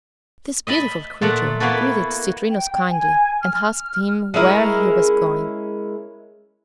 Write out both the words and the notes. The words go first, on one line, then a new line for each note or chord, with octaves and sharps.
This beautiful creature greeted Citrinus kindly and asked him where he was going.
D#5 E5 A5 B5
A#2 A3 A#4 F#5
A#3 B3 E4 F#4 A4
G5
G#5
F6
G#3 C#4 E4 A#4